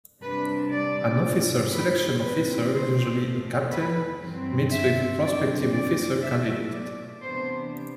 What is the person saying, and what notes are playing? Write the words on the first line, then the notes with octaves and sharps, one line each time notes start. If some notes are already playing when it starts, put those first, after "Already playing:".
An Officer Selection Officer, usually a Captain, meets with a prospective Officer Candidate.
C3 G3 D4 B4
D5
G2 D3 G3
B4
B2 G3 C4 B4
C5
E2 B2 A3
B4
G2 F#3 C4
E5
F#2 D3 G3 C4 D5
D5
B2 F#3 A3 E5
D5
C3 E3 B3 D4 C5